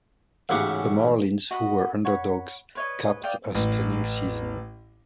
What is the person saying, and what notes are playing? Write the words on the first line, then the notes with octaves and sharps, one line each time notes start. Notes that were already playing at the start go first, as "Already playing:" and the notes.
The Marlins, who were underdogs, capped a stunning season.
A1 G#2 C#3 F#4 G4 C#6
F#4 D#5 F#5 B5
C#5 F#5 B5
B4 C#5 D#5
D5 F5 G5 D#6
A1